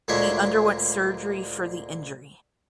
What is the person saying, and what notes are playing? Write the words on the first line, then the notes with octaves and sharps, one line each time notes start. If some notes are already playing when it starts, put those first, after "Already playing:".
He underwent surgery for the injury.
D2 A#2 G#3 D4 C#5 E5